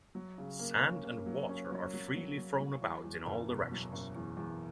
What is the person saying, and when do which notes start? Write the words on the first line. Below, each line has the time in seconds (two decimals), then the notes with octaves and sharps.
Sand and water are freely thrown about in all directions.
0.15 F#3
0.38 C#3
0.59 A#3
0.82 C#4
1.04 A#3
1.26 F#3
1.49 C#4
1.72 F#3
1.94 F#3
2.16 F#3
2.37 F#3
2.60 F#3
2.82 E2
3.04 E2
3.27 F#1
3.49 B2
3.72 F#3
3.93 F#1
4.16 E2
4.37 E2